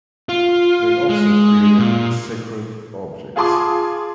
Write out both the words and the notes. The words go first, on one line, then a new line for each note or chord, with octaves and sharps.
They also created sacred objects.
F4
G#3
A#2
F4 G#4 A5 C6 D6 D#6